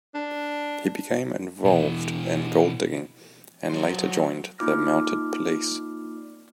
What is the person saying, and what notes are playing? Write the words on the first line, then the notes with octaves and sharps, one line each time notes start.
He became involved in gold-digging, and later joined the mounted police.
D4
B2 E3
F#3 C5
A#3 D#4 F4 D6 F6 A#6